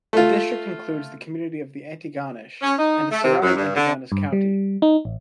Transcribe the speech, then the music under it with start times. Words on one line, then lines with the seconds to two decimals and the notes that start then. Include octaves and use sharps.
The district includes the community of Antigonish, and the surrounding Antigonish County.
0.13 A3 F4
2.62 C#4
2.79 D#4
3.11 A3
3.24 C3
3.43 F#2
3.56 G2
3.76 D3
4.12 G2
4.33 G3
4.82 D#4
5.05 A1